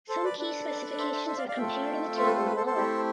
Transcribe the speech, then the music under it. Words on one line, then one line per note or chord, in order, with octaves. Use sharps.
Some key specifications are compared in the table below.
A4 C5
B4 D5
D4 A4 B4 D5
C5 E5
C5 E5
C5 E5
D5 F5
D5 F5
A3 C4 F4 A4 E5 G5
C5 E5
B4
A4 C5
B4
A4 C5
A4 C5
A3 C4 E4 G4